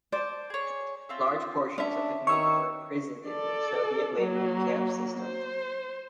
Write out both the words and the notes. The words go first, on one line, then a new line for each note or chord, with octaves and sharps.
Large portions of the community were imprisoned in the Soviet labor camp system.
C5 D5 A5
G#4 C#5
C4 F4 E5
C#4 D4 D5 E5
D#3 C#5 C#6 E6
A4 D5
F#3 A#3
C5